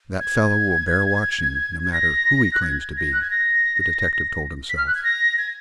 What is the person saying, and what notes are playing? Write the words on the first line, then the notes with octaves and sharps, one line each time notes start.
"That fellow will bear watching, no matter who he claims to be," the detective told himself.
G#6
G#6
A#6
F#6
G#6
A#6
F#6
G#6
A#6
B6
F6
F#6
G#6
A#6
G#6